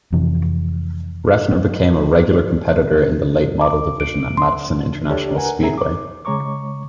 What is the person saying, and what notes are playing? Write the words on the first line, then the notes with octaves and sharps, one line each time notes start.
Reffner became a regular competitor in the late model division at Madison International Speedway.
F2 C3 E3
D6
D7
C6
D4 G4 A4 C#5 D5
A#4 B4 F#5 G#5 A#5
C4 C#4 G#4 E5 A#5
D6
C#3 G#3 C#5 A#5 C#6 D6